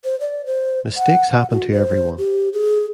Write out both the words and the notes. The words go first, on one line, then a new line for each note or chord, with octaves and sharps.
Mistakes happen to everyone.
C5
D5
C5
F#5
F#4
C5
G4
G#4